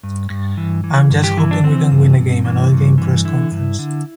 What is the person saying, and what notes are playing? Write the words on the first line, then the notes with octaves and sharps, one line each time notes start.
I'm just hoping we can win a game, another game press conference.
G2
G2
E3
E3
G2
G4
E3 E4
D4
E3 C4
G2
G2
E3
G2
E3
D3 E4
G2
D3